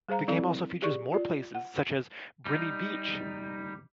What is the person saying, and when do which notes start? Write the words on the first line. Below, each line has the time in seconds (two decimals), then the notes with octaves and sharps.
The game also features more places, such as Briny Beach.
0.09 G3 G#4 C5 F5 A#5
0.28 F#3 C4 E4 A4 D5 F5
0.82 G4 G#4 D5 C#6
1.12 F4 D5
1.55 F#5
2.45 G3 D#4